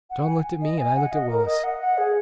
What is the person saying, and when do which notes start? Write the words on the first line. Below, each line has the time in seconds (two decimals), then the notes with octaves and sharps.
John looked at me, and I looked at Willis.
0.10 F#5
0.27 G#5
0.62 D#5
0.78 G#5
0.95 F#5
1.12 D#5
1.29 A#4
1.46 D#5
1.64 F#5
1.81 F#5
1.98 G#4